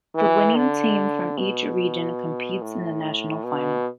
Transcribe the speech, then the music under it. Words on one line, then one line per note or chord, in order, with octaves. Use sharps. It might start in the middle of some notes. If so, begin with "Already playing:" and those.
The winning team from each region competes in the national final.
E3
D3
B2
A2
B2